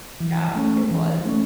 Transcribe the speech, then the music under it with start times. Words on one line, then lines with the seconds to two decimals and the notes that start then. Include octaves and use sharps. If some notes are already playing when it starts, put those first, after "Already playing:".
Yeah, it was.
0.20 E3
0.55 A3 C#4
0.91 E3
1.26 A3 C#4